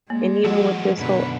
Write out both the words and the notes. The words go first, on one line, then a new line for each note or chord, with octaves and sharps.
and even with this whole
G3 G#3 A#3
F3 F#4 G#4
F#2 B2 D3 B4